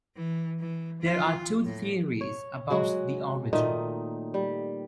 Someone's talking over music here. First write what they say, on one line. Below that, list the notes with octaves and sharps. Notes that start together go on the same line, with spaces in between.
There are two theories about the origin.
E3
E3
F4
A2
C#5
F#3 G#3 F#4
A#2 D#3 A3 D#4
G3